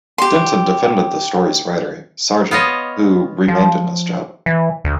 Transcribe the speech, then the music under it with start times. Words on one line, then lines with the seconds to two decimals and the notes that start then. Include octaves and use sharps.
Denton defended the story's writer, Sargent, who remained in his job.
0.18 G4 C6
2.51 B3 F4 C#5 D#5
3.48 F3
4.46 E3
4.84 D2